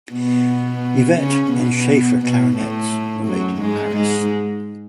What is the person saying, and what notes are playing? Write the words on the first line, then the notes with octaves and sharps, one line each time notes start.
Evette and Schaeffer clarinets were made in Paris.
B2 B3
C#3 C#4
B2 B3
B2 B3
A2 A3
F#2 F#3
G#2 G#3
G#2 G#3